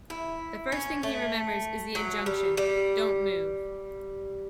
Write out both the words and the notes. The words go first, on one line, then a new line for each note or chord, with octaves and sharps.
The first thing he remembers is the injunction: "Don't move".
E4
C#4
A3
F#3
G3
G3